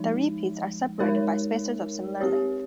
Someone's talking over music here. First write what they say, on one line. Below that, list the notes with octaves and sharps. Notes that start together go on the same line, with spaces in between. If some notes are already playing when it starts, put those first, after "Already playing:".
The repeats are separated by spacers of similar length.
Already playing: F3 G#3 D#4
G#3 D#4 A#4 C#5
C4 G4 C#5